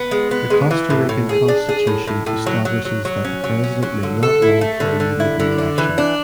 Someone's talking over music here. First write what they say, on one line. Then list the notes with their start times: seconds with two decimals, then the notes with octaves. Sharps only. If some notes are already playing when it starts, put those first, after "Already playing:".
The Costa Rican Constitution establishes that the President may not run for immediate reelection.
Already playing: B3
0.11 G#3
0.31 B3
0.50 G#3
0.71 E3
0.90 A2
1.09 A2
1.29 G#4
1.48 D4
1.69 G#4
1.87 A2
2.07 A2
2.26 A2
2.46 F#3
2.65 F#3
2.85 F#3
3.05 F#3
3.24 C#4
3.44 F#3
3.64 C#4
3.83 F#3
4.03 D3
4.23 A4
4.42 E4
4.61 A3
4.80 D3
5.00 D3
5.20 E4
5.40 D3
5.58 D4
5.78 E3
5.98 D4